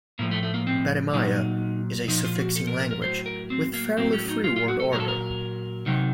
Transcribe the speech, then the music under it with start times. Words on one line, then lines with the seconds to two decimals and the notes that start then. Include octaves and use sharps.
Badimaya is a suffixing language with fairly free word order.
0.19 A2 F3 A#3
0.31 A3
0.43 A3
0.54 A#3
0.67 C4
1.13 A#2 F#3 D#4
2.08 A#2 F3 D#4
2.24 F4
2.36 F4
2.39 F#4
2.56 A4
2.67 A#4
2.80 A#4
2.91 A#4
3.02 A2 F#3 C5
3.26 A#4
3.50 C4
3.74 A#3
3.97 A2 F#3 C4
4.13 C#4
4.29 D#4
4.44 F4
4.56 F4
4.68 F#4
4.80 A4
4.93 A#2 F#3 A#4
5.00 A4
5.08 A#4
5.86 C3 D#3 F#3